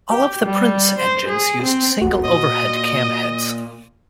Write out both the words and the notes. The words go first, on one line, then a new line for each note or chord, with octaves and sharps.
All of the Prince engines used single overhead cam heads.
G4
G3
C5
G#4
C4
D#1 G#1 E2 F#4
A#2 D#5